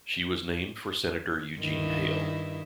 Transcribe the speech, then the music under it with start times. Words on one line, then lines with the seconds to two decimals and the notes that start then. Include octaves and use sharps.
She was named for Senator Eugene Hale.
1.60 G2 D#3 E4